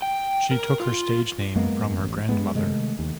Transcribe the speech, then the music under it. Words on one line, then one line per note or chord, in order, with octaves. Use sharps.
She took her stage name from her grandmother.
G5
A#4
F4
F#2 G#3 A#3 B3
A1
G2 G#3 B3
C3 D#3 G#3 A3
D#2